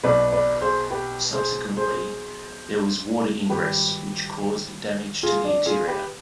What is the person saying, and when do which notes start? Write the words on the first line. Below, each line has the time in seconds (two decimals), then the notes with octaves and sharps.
Subsequently, there was water ingress, which caused damage to the interior.
0.03 B1 B2 B4 D5
0.32 B4 D5
0.61 G#4 C5
0.90 G4 B4
1.34 G#4 C5
1.77 G#4 C5
3.49 G#1 G2 F3 G4 B4
5.23 F4 G#4
5.44 D4
5.66 F4 G#4
5.87 G4 B4